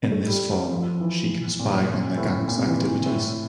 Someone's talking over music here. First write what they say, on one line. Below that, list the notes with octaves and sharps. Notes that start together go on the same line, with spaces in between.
In this form, she can spy on the Gang's activities.
A3
G3
F3
E3
A#2
A2
A#2
C3
E3
E3
A2